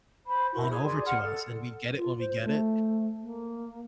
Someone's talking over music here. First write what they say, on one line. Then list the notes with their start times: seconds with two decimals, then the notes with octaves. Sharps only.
on over to us, and we'd get it when we get it.
0.25 C5 B5
0.53 E4 F#4 A#4
0.70 G#4
0.84 G#4 D5 C6
1.05 F#5 C6 F6
1.22 A4
1.97 F4
2.20 C5
2.44 A3
3.23 A#3